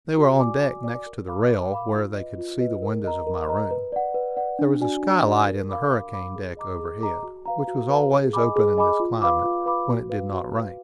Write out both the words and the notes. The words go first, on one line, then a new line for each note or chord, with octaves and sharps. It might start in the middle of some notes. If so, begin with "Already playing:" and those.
They were on deck, next to the rail, where they could see the windows of my room. There was a skylight in the hurricane-deck overhead, which was always open in this climate when it did not rain.
F#4
D5 G#5 D6
F#4
D5 G#5 D6
A#4
F5 B5 D6
A#4
F5 B5 D6
F4
B4 D#5
F4
B4 D#5
A#4
D#5 A#5
A#4
D#5 A#5
B4
D5 F#5
B4
D5 F#5
D4
F#4 D5 G#5
D4
F#4 D5 G#5
A#4
F5 B5 D6
A#4
F5 B5 D6
G#4
D#5 A#5 D6
G#4
D#5 A#5 D6
F#4
B4 F5 A#5
F#4
B4 F5 A#5
G#4
D#5 G#5 B5 D6
G#4
D#5 G#5 B5 D6
F4
B4 F5 B5 D6
F4
B4 F5 B5 D6
F#4
B4 F5
F#4
B4 F5